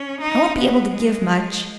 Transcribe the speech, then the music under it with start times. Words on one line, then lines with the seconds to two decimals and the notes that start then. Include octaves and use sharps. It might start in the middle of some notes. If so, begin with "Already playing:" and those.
I won't be able to give much.
Already playing: C#4
0.21 D#4
0.58 B3
0.94 G#3